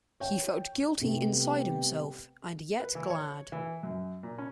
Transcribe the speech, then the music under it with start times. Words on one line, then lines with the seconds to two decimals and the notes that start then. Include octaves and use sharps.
He felt guilty inside himself, and yet glad.
0.20 C#5 G5
1.01 C3 G3 A3 B3 C4 G4
2.80 B4
2.95 E3
3.10 C#5
3.52 E3
3.83 F#2
4.23 A#2
4.38 C#4